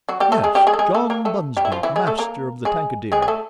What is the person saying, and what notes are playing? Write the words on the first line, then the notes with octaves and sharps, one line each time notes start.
"Yes; John Bunsby, master of the Tankadere."
F#3 F#4
G3 G4
A3 A4
G#3 G#4
G3 G4
G#3 G#4
A4
G#3 G#4
A3 A4
A#3 A#4
A3 A4
G3 G4
E4
F3 F4
E3 E4
G#3 G#4
A3 A4
A#3 A#4
G#3 G#4
G#3 G#4
G#4
A3 A4